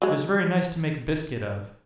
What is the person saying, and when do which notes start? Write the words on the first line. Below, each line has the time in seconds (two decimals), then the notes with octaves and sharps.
It is very nice to make biscuit of.
0.02 F#3 G#3